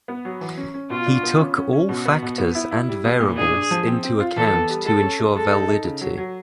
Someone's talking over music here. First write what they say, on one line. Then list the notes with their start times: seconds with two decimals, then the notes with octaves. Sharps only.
He took all factors and variables into account to ensure validity.
0.08 B3
0.25 F#3
0.41 E3
0.57 C#4
0.74 C#4
0.90 B2 F4
1.06 D4
1.23 B3
1.40 C#4
1.56 C#4
1.73 C#4
1.89 B2 F#4
2.05 B3
2.22 B2
2.38 B3
2.55 E4
2.71 E4
2.89 G3
3.05 B3
3.20 A#2
3.37 D4 G#4
3.54 D4
3.71 F3
3.87 C4
4.03 C4
4.20 F4
4.36 E3 A4
4.53 B3
4.69 G3
4.85 G#3 A4
5.02 C#4
5.19 G#3
5.35 G#3 A4
5.51 D#4
5.69 D#4
5.85 C#3
6.01 F#3
6.17 F#3